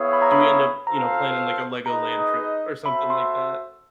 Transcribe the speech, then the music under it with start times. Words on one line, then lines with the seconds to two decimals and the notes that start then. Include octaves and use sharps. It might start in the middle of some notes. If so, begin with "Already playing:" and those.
do we end up, you know, planning, like, a LEGOLAND trip or something like that?
Already playing: B3 E4 G#4 C#5 F5
0.13 B5
0.22 A#5
0.32 B5
0.87 F4 A4 C5 F5 A#5
1.86 D#4 G#4 B4 D#5 A#5
2.84 F#4 A4 C5 E5 B5
3.10 C6